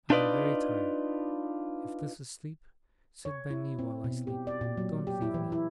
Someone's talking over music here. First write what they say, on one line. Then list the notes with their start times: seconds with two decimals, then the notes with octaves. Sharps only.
I am very tired. If this is sleep, sit by me while I sleep: don't leave me.
0.10 D4 D#4 F4 B4 D5 D#5
3.25 C#5
3.50 E4
3.79 C4
4.04 B2
4.27 G4
4.47 D5
4.61 A#2
4.77 F#3
5.07 G4
5.22 E4
5.34 E3
5.52 E4